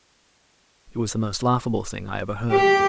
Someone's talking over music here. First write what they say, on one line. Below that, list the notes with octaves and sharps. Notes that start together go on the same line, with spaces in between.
It was the most laughable thing I ever heard.
G4